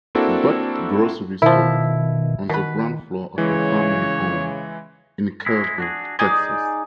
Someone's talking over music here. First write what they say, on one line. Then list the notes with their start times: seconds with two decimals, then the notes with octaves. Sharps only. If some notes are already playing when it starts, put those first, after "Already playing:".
Butt Grocery Store on the ground floor of her family home in Kerrville, Texas.
0.15 A#3 C4 D4 E4 F#4 A4
1.42 B2 D#3 F3 E4
2.49 B2 D#3 B4
3.38 C#3 E3 G#3 C#5
5.46 G#3 E4
5.78 D4 F#4 G#4
6.19 D#4 G#4 D5 G#5